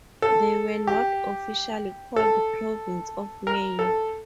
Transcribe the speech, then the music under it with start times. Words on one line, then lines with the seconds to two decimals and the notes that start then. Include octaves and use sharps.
They were not officially called Province of Maine.
0.22 A4
0.87 G4
2.16 A4
3.47 A#4
3.79 A4